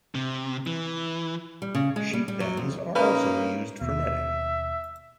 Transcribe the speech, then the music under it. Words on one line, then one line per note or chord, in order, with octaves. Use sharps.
Sheet bends are also used for netting.
C3
E3
G3
C#3
G#3
G3
G3
F#3
F2
A#3 C#4 D#4 B4
D#2 B2 E5